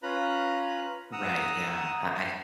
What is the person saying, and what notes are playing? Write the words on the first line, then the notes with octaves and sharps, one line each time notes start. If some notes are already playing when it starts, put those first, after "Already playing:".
Right, yeah, I I
C#4 F4 B4 A#5 B5 F#6
F#5 A#5 D#6 E6